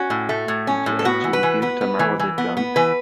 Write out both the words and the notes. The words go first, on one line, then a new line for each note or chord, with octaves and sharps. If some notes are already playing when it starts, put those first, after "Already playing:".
Did you actually give Tamara that gun?
Already playing: C#4 F#4
A2
A3
A2
C#4
A2
A4
B3 F#4
E3
B4
E3
B3 B4
B3
E3
E3
B3
B3
E3 B4